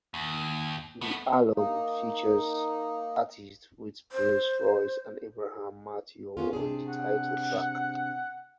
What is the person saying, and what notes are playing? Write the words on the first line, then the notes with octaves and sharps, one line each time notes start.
The alum features artists with Prince Royce and Abraham Mateo on the title track.
D#2
A3 B3
A#3 D#4
C5
B3 C#4 F4
C3 D4 G#4
F#5